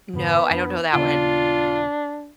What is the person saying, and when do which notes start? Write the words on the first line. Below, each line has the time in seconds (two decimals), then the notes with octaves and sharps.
No, I don't know that one.
0.13 F2 G#2 D3 B3
0.50 F2 C4 D4
0.93 D#1 C#3 B3 D4 F4